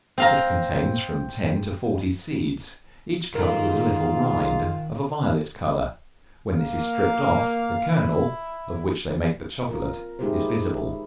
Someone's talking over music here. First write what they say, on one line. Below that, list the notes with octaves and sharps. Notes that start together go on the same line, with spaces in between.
It contains from ten to forty seeds, each covered with a little rind, of a violet color; when this is stripped off, the kernel, of which they make the chocolate, is visible.
C4 F5 A#5
G#2 D#3 F4 A4 A#4 A#5
A#3 F5
E4
C4 F4 A#4
G#3 D#4 E4 G4 G#4 C5
E4